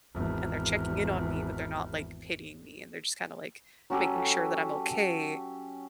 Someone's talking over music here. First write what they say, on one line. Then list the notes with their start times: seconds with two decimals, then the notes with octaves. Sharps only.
and they're checking in on me, but they're not ,like, pitying me, and they're just kind of, like, making sure that I'm okay,
0.13 G#1 E2
3.90 F#3 C#4 G4 A4